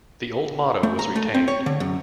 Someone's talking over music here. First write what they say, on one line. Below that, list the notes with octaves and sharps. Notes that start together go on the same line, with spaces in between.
The old motto was retained.
A3
A#5
A3
C4
C#5
D3
F#2